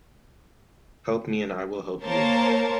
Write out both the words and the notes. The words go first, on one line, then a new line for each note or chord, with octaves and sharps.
Help me and I will help you.
A#3 A#4 C5 C#5 A5